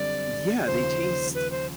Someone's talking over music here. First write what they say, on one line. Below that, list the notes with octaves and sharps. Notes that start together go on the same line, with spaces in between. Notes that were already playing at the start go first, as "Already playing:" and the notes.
Yeah, they taste
Already playing: F#2 D3 G3 C4 D5
D#2 C#3 F3 C5
B4
C5